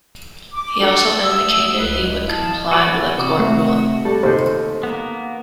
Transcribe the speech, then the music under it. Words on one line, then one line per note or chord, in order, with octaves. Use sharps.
He also indicated he would comply with a court ruling.
D6
D4 F#4 A4
A3 F#5 D#6 E6
C#2 B4
E4 D#5 F5 A5
F#4 B4 D5
C3 F#4
A3
G3 A4
D#2 C3 C4 C5
A#3 B3